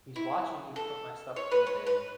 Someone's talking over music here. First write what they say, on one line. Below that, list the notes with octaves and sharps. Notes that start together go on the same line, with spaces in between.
He's watching me put my stuff in the bin,
E4
A4
C#5
B4
C#5
B4